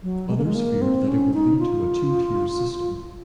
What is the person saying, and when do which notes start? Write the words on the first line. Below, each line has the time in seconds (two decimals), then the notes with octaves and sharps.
Others feared that it would lead to a two-tier system.
0.03 F#3
0.29 G#3
0.37 A#3
0.44 G#3
0.55 A#3
0.82 C4
1.08 C#4
1.34 D#4
1.59 F4